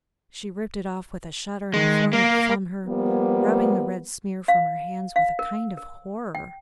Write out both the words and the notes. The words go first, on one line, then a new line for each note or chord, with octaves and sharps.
She ripped it off with a shudder and flung it from her, rubbing the red smear from her hands with a kind of horror.
D#3 G#3
A#3 A#4 F5
F3 G3 A#3 B3
F5
F5
A#4
A#4
G5